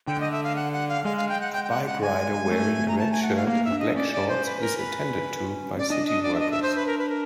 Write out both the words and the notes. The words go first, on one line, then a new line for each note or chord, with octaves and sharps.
A bike rider wearing a red shirt and black shorts is attended to by city workers.
D3 G5
D#5
E5
F5
F#5
F#5
F5
G#3 F5
F5
G5
F#5
G5
G5
F#5
F#5
G#5
A3
A#5
A5
G#5
F#5
F5
A#3 F5
E5
D4
D#5
C#4 D5
D5
C5
B4
A#4
B4
D5
D4 D#5
D#5
D5
E5
D#5
E5
C5
B4
A#4
B4
A#4